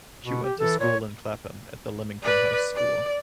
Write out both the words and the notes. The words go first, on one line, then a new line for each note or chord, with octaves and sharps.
She went to school in Clapham at the Lymington House School.
B2
G4
E3 A4
A#2 C#5
B4 D5
D5